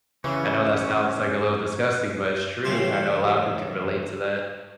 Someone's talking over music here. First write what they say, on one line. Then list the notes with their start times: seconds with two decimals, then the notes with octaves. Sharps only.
I know that sounds like a little disgusting but it's true, I know a lotta people can relate to that.
0.24 C#3 E3 C#4
2.64 A2 C#3 E3 G3 G4 C5